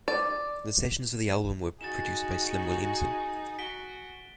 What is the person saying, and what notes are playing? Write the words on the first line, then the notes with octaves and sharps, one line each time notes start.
The sessions for the album were produced by Slim Williamson.
D5
D#4 F#4 G#4 A6 E7
F#4 B6 D7 G7